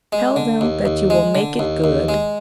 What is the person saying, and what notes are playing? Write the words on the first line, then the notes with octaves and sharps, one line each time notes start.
Tell them that you will make it good.
G#3
D3
D#2
D#2
G#3
D3
D#2
D#2
G#3